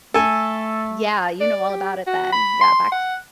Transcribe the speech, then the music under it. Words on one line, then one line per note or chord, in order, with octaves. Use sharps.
yeah, you know all about it then. Yeah, back
A3 A4 G#5
D5
G4
F#4
B5
C6
F#5